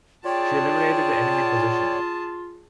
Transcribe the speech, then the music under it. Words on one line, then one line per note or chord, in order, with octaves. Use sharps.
She eliminated the enemy position.
F4 G#4 C#5 D5 G5 A5